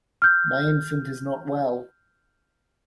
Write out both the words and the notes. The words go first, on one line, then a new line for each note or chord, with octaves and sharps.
My infant is not well.
F6 G6